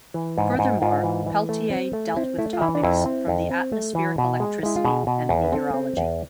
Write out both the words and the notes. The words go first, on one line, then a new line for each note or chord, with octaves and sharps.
Furthermore, Peltier dealt with topics from the atmospheric electricity and meteorology.
E3
G#2
G#2
G#2 F4
E3
E3
A3
C4
A3
C4 E4
A3 E4
F4
E3 E4
D4
F2 E4
C4
F2
C4
A3
E3
B2
G#3
G#3 E4
F4
B2 G#4
B2
E2
B4
C4 A4
C4
E2